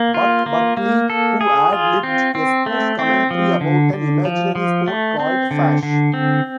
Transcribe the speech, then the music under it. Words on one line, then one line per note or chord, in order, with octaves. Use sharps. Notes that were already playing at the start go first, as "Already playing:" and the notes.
"Buck" Buckley, who ad-libbed a spoof commentary about an imaginary sport called "Fasche".
Already playing: A#3
F4
A#3
A#3
A4
G#4
F4
C4
C4
A3
C4
F3
D3
D3
F3
F3
A3
C4
D3
D3
C4